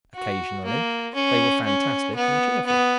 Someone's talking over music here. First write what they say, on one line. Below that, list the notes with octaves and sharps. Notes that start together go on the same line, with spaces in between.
Occasionally they were fantastic and cheerful.
F#4
A#3
C#4
C#4
B3
B3